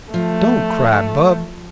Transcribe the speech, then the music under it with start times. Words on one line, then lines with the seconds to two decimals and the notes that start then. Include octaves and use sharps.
Don't cry, bub.
0.14 F3 A3